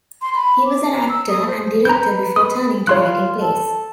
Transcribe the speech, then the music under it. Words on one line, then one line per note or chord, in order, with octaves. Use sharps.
He was an actor and director before turning to writing plays.
C6
B5
D6
A#5
E6
D#6
C5
B4 A#5 G6
D#6
F4 C#5 C6 F#6
A4